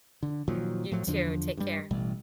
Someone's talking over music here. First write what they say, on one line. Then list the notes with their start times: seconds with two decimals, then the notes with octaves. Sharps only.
You too. Take care.
0.23 D3
0.48 A#2 D#3 F3 F#3
0.92 A2 F3 F#3
1.07 E2 D3 F3 D4
1.57 G2 G3
1.91 A1 B2 G3